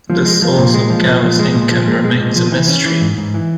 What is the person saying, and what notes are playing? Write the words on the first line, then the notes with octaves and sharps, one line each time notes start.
The source of Gower's income remains a mystery.
F3
G#3
F3
A#2
G#3
F3
A#2
F3
G#3
A#2
F3
G#3
G#3
A#2
F3
E3
C#4
E3
G#2
G#2
E3